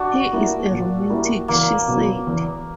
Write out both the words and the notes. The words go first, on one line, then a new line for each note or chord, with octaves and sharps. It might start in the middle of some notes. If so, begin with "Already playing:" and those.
"He is a romantic," she said.
Already playing: D4 F#4
G3 A#3 E4
A#2
G3 A#3 E4
E2 A#3
B2 F#3 B3
E2